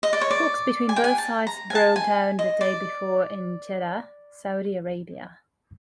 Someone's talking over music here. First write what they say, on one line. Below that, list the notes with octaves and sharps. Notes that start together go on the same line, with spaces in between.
Talks between both sides broke down the day before in Jeddah, Saudi Arabia.
D#5
D5
C#5
D5
G#5
G5
G#5
A5
A#5
G#5
A5
G#5
D#5
D5